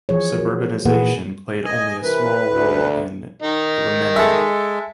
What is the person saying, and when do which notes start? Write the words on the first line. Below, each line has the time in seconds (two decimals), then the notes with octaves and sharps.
Suburbanization played only a small role in Ilmenau.
0.09 E3 F3 G#4 C#5
0.37 F#4 A#4
0.85 A#2 E3 A#3 G#4 B4 F#5
1.65 D#5 G#5
2.03 C3 E3 A#4 B4
2.52 D2
3.43 D#3 D#4
4.16 G#3 A4 E5